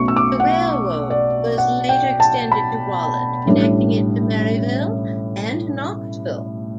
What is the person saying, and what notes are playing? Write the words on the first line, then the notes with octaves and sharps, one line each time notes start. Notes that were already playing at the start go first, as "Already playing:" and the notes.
The railroad was later extended to Walland, connecting it to Maryville and Knoxville.
Already playing: B1 B2 A3 C#4 C#6
E6
D6
F#5
D5
F#5
G5
A5
B5
A1 A2 G3 D4